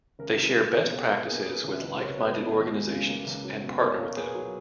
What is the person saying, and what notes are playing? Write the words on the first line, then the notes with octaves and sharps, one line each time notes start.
They share best practices with like-minded organizations and partner with them.
C#2 A#4
C#2
G#4 B4
A#3
A#4
B2
A#2 G#4
A#2 A#4
A#3 G#4 B4
F#3 G#4 B4
C#2
E5
C#2 B4 D#5
F#3 A#4 C#5
B2 B4 D#5
B3
D#2
G#3
C#3
A#3
C#2
F#3
B2
A#2 A#4 C#5
A#2
A#3 G#4 B4
F#3